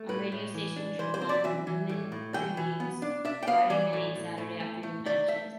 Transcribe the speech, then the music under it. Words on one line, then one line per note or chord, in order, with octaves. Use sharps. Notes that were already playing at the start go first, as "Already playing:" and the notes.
On radio station Triple M, Newman previews Friday night and Saturday afternoon matches.
Already playing: A3
A2 B4
A2
E3
D4
E3 C5
C5
C4
D5
E3 E5
E3
A2
A2
E3 G5
E3
B3
D4
D4 E5
G5
B3 F5
E3 D5
A2
A2
A2
A3
A3
A3 D5
A3 E5